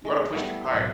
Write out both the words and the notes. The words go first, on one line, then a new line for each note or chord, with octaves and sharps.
You oughta push the cart.
G#3 A3
G3 A3 B3 E4
B1 A2 D5 E5